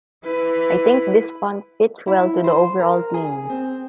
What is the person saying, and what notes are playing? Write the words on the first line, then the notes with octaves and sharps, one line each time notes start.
I think this font fits well to the overall theme.
E4 B4
E4
C5
A#4
G#4
C4